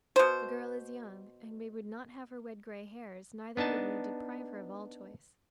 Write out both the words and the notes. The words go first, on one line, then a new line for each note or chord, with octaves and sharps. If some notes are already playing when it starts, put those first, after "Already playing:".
The girl is young, and we would not have her wed grey hairs, neither would we deprive her of all choice.
B2 C5
B3 D4 D#4 A5